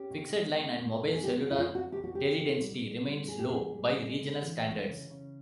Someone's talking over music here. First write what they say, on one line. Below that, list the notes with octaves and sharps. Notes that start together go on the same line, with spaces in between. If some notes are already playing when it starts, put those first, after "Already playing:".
Fixed-line and mobile-cellular teledensity remains low by regional standards.
Already playing: C#4 G4
B2
B2
G#3
B2
B2
G#4
G#3 G4
F#4
C4 E4
F4
C4
F#4
B2 G4
F#4
C4 G4
B2
G3
B3
G3
B2 G#4
G4
B2 G#4
G3
C#3
G#3
E3
G#3
C#3
C#3